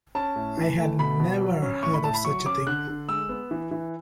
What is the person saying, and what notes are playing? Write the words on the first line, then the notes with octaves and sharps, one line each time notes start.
I had never heard of such a thing.
C#4 A5
A2
E3
A3
B2 B5
B2
F#3
C#4
A2 C#6
B5
A2 A5
B5
F#3 C#6
C#4 D6
D3 F#6
D3
G#3 E6
B3
E3
E3